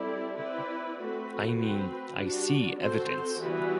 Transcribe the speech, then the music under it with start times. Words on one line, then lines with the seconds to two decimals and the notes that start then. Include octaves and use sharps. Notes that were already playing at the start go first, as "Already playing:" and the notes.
I mean I see evidence.
Already playing: G3 C4 E4 A4 D5
0.37 C4 E4 B4 D5
0.97 A3 C4 F#4 B4
1.57 C4 F#4 B4
2.18 G3 D4 F#4
2.78 C4 F#4 A4 C5
3.40 E3 G3 B3 F#4 B4